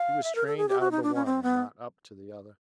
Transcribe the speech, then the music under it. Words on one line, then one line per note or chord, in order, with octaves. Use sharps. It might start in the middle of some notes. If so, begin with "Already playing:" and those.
He was trained out of the one and not up to the other.
Already playing: F5
E5
A#4
A4
G#4
G4
F#4
D#4
D4
C#4
C4
B3